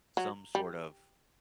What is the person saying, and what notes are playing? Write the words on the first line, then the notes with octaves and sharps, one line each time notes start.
some sort of
F#3
G3